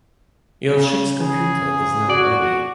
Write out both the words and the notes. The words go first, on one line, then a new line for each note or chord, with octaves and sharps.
Your ship's computer is now ready.
C#3
G#4
F#4 D5